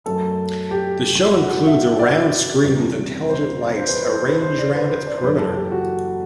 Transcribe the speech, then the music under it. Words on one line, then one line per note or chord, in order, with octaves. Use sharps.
The show includes a round screen with intelligent lights arranged around its perimeter.
F#2 F#3 A3 A4
G4
F#4
E5
D5
E2 C3 G3
C5
D5
C5
C5
B4
B4
C5
B4
C5
D5
B4
C5
D5
C5
F#1 F#2 E3 B4
A4
G4
F#4